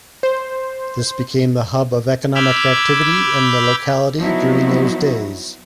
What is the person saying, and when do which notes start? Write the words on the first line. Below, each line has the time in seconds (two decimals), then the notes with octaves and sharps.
This became the hub of economic activity in the locality during those days.
0.23 C5
2.35 B5 D6 E6 F6 G6 G#6
4.19 F3 F#3 B3 D#4 E4 F#4